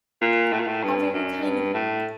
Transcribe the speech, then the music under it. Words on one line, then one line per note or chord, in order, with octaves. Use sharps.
How very kind of you!
A#2
A2
A#2
A2
G2
F#2
G2
A2